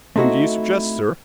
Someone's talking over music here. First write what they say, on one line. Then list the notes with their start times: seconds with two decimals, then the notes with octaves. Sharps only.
"Whom do you suggest, sir?"
0.16 A3 C4 D#4 E4 F#4